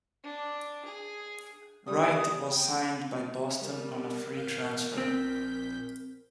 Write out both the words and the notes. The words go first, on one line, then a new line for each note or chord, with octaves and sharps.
Wright was signed by Boston on a free transfer.
D4
G#4
E2 G3 D#6
G5
G3 A#4
A1 F5 G6
A#1 C4 G6 B6